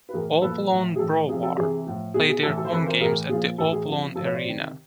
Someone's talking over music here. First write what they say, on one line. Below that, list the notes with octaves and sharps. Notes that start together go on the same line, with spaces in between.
"Obolon Brovar" play their home games at the Obolon Arena.
B4
A2 E3 G#4 A#4
C5
A#2 F3 A4 B4
A2 F3
G#4
A2 E3 A4
C3 F3 G#4
A4
C3 E3 G#4
A2 F3
B2 G#4
G#4
A2 E3 A4
A4
C5
C3 E3 A4 B4
A#4 C5
A2 E3 G#4 A#4
A#2 F3 G#4
A2 E3 A4
G#4
C3 F3
A2 F3 A4
B4 C#5
C5 D5
C3 D#3